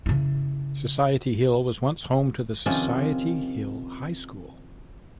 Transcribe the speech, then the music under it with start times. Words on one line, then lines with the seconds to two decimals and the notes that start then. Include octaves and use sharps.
Society Hill was once home to the Society Hill High School.
0.06 C#3 E4
2.66 C3 D#3 F3 C4 C#4